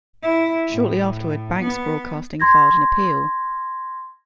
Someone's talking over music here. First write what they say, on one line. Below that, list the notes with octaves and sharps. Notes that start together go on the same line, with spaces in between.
Shortly afterward, Banks Broadcasting filed an appeal.
E4
A2
B3
C6 G#6 A#6